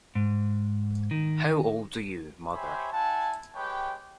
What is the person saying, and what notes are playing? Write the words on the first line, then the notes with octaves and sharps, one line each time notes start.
How old are you, mother.
G#2
D#3
G4 C5 C#5 E5 G#5 B5
E4 F#5 G#5 A5
G#3 G4 B4 C#5 G5